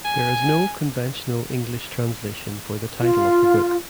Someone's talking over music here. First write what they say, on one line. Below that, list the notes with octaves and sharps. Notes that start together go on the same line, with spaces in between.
There is no conventional English translation for the title of the book.
G#5
F4